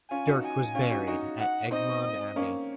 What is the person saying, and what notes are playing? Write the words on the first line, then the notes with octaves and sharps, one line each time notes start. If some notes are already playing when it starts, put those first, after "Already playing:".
Dirk was buried at Egmond Abbey.
C#4 F4 G#5
D#4 F#4
G#5
C#4 F4
D#4 F#4
D#4 F#4
F#5
C4 D#4 D#5
A#3 C#4